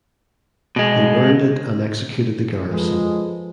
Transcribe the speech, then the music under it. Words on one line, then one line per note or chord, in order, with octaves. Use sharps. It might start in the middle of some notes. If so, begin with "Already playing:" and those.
They burned it and executed the garrison.
B2 G#3
F3 G#3 A4 B4